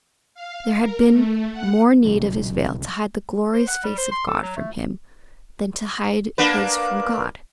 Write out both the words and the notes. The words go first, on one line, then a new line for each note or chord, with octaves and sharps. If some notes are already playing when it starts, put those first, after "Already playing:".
There had been more need of his veil to hide the glorious face of God from him than to hide his from God.
F5
A#4
A3
F#5
B1 A#2 C#3 F#3
C5
F#5
G3
C5
C6
A4
F#3
A3
A#3 D4 B4